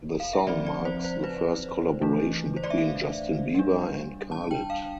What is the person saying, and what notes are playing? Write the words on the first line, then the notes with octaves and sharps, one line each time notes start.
The song marks the first collaboration between Justin Bieber and Khalid.
F5
E5
F3 C4 D5
D5
C5
C5
B4
E3 A3 D4
C5
D5
E5
F5
G3 D4
A5
G5
F5